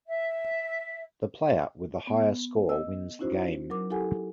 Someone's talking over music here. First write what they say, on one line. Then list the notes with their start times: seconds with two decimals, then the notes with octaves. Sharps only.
The player with the higher score wins the game.
0.08 E5
2.07 B3
2.69 D#5 E6
3.19 C#4 D#4 E4 F#4 C5
3.70 F#3 A#4 D6
3.90 E4 G4 A4 F#5 G#5